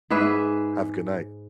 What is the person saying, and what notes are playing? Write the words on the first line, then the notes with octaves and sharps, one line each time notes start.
Have a good night.
G#2 G#4 B4 E5